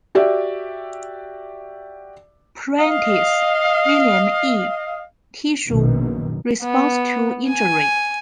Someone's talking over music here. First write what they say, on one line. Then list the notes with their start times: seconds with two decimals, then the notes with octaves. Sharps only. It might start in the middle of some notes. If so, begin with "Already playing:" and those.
Prentice, William E. Tissue Response to Injury.
0.15 F#4 G4 D5 E5
2.80 D#5 F5
5.67 A#1 F#2 B2 D#3
6.62 B3
7.48 G#5